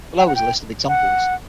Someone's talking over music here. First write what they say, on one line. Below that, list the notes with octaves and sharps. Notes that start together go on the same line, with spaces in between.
Below is a list of examples.
G5
F#5
G5
F#5